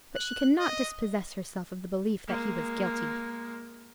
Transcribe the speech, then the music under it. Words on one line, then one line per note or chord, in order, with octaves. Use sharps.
But she could not dispossess herself of the belief that he was guilty.
F#6
D#5
G#3 A#3